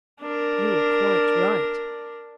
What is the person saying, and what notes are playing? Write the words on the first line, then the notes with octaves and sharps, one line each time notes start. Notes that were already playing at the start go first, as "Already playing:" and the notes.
'You are quite right.
D4 A#4